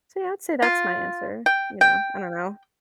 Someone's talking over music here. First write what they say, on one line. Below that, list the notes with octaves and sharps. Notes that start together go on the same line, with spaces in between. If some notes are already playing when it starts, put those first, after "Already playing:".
so, yeah, I'd say that's my answer, you know? I don't know,
F4
G5
G5